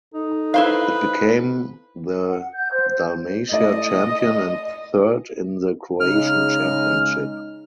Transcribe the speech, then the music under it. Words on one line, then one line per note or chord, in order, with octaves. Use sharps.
It became the Dalmatia champion and third in the Croatian championship.
D#4 A4
E4 B4 C5 F5
F#5
G6
C5
A3 E4 D5 D#5
C#3 G#3 D#4 F6